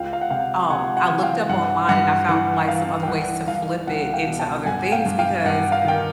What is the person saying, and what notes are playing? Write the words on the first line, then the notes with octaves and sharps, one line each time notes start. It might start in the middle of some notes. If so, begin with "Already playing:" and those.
um, I looked up online, and I found, like, some other ways to flip it into other things because
Already playing: C#2 F5 G5
F5
F#5
C3 F5 G5
C3 F#5 G#5
F#5 G#5
E3
F5 G5
G2 F#5
G2 F#5
E3 F#5
E3 F5
G5
C2 F#5
C2 F5
C2 F#5
F5 G5
B2
G5 A5
G2 F#5 G#5
F5 G5
G2
F5 G5
G2 F#5
F5
D#3 G5